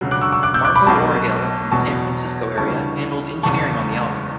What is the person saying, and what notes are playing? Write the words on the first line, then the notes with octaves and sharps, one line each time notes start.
Marco Origel, from the San Francisco area, handled engineering on the album.
E1 D2 C#3 F#3
D6 F#6
C#6 E6
C#6 E6
D6 F#6
E6 G6
D6 F#6
B5 D6
B1 B2 F#3 A5 C#6
E2 B2 F#3 A5 C#6
D2 C#3 E3 G3 A5 C#6
F#1 E2 C#3 A5 C#6